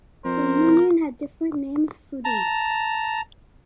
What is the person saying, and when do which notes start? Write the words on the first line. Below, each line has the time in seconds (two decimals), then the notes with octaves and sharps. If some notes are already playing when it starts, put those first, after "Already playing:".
The Union had different names through the years.
0.25 F2 A#4 C5
2.25 A5 A#5